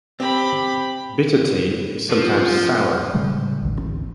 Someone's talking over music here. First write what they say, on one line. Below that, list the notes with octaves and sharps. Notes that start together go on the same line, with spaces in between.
Bitter tea is sometimes sour.
C4 G4 B5
F3
A2 C#3 G3 G#3
G#1 D2 D3 E3